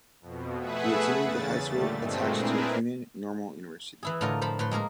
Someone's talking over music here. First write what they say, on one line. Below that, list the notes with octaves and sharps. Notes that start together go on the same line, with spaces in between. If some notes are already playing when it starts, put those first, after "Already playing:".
He attended the High School Attached to Hunan Normal University.
F2 B2
A3 G#4 B4 E5 F#5
E2 C#3 A6
A#2 D3 G3 A3
G2 A#2 G#3 A3 C4
C4 D4 E4 G#4 A#4 B4
E3 E4 G#4
A2 D3 F4 A#4 D#5
F3 C5 B5
A2 B4 C6
G#3 A#3 G#4 A#4